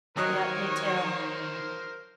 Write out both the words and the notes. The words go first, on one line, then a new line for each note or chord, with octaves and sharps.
Yep, me too.
D#3 F#3 A#4 C5 C#5 D#5 F#6